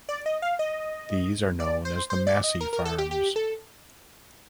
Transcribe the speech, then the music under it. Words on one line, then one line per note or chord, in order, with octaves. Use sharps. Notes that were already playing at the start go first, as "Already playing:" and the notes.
These are known as the Massey Farms.
D5
D#5
F5
D#5
D5
C5
C5
D5
D#5
A#4
A#4
A4
G4
G4
A4